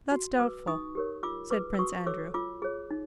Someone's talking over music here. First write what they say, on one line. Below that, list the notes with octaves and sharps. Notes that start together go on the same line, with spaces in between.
"That is doubtful," said Prince Andrew.
F#4
B4 D6 E6
D#4 C#6 D#6
G4 A#4 C#5
F4 D6 E6
G#4 B4 D6 E6
E6
F#4 C#6 D#6
A4 C#5 D6 E6
F4 D6 E6
G#4 C#5
D#4